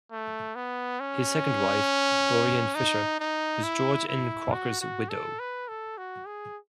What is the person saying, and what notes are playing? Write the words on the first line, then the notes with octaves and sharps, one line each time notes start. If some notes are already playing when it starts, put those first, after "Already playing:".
His second wife, Dorian Fisher, was George N. Crocker's widow.
A3
B3
C#4
D#4
D#4
E4
E4
F#4
F#4
A4
B4
A4
F#4
G#4